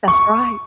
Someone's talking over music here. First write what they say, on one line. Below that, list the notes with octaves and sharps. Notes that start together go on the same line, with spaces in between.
That's right.
C#6